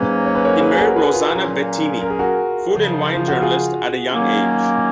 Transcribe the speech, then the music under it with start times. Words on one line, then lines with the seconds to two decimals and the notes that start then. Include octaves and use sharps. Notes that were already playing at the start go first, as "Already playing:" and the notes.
He married Rossana Bettini, food and wine journalist, at a young age.
Already playing: G#2 F#3 A#3 C#4 B4
0.26 C#5
0.35 B4
0.45 A#4 C#5
0.60 G#4 B4
0.73 G#4
0.79 F#4 A#4
0.96 G#4 B4
1.13 F4 G#4
1.31 A#2 F#3 C#4
2.01 A#4
2.10 G#4
2.19 F#4 A#4
2.71 F#2 C#3 F3
3.14 F4
3.28 F#4
3.42 F4 G#4
4.12 D#3 F#3 A#3 C#4